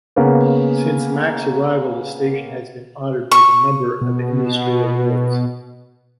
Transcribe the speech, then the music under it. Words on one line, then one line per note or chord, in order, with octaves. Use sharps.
Since Mack's arrival, the station has been honoured with a number of industry awards.
C#3 A#3 B3
C#6
B2